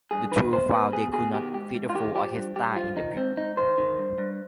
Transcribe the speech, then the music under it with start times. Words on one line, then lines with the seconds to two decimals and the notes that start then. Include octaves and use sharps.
The two found they could not fit a full orchestra in the pit.
0.11 G2 G#4
0.31 D#3 B4
0.52 B2 C5
0.72 B2 B4
0.92 B2 G#4
1.13 B2 G#4
1.33 D#3 G4
1.54 G#2 G4
1.74 G#2
1.90 F4
1.95 D#3 G4
2.15 F3 G4
2.35 G2
2.56 G2 G4
2.76 F3 F4
2.96 D#3 D#4
3.16 G#2 C4
3.37 G#2 D#4
3.57 D#3 C5
3.78 D#3
3.98 G2
4.18 G2